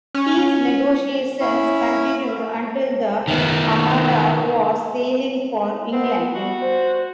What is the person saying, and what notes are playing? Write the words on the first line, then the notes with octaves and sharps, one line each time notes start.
Peace negotiations continued until the Armada was sailing for England.
C#4
C#4 E4
D#3 B3
B3 C4
G3 F#4
C5